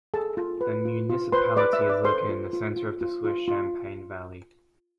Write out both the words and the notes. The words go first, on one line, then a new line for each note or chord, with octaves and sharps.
The municipality is located in the center of the Swiss Champagne valley.
G#4 A4 A5
F4
B4
F4
F4
B4 C5 C6
B4 D5 D6
E5 E6
B4
D5 D6
A4 C5 C6
F4
F4
F4
F4
F4
F4